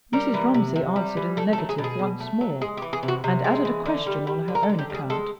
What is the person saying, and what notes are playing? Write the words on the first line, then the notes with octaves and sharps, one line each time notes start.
Mrs. Romsey answered in the negative once more, and added a question on her own account.
G3 A#4
E3
C3
C3
G3
E3
A3 A4
A4
F#3
G#4
B2
G#4
B2
A3
F#3
G#3 G#4
G4
E3
G#4
C3
F#4
C3
G#3
E3
D3
G3
G3
D3
A#4
A4
D3
G4
G3 G#4
G#3 A4